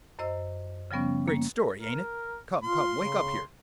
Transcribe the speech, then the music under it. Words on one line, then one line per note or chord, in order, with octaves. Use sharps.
Great story, ain't it? Come, come, wake up here.
F#2 C5 D#5 E6
C#3 F3 G3 B3 C#4
A#3
A#4
F4 C6
C#3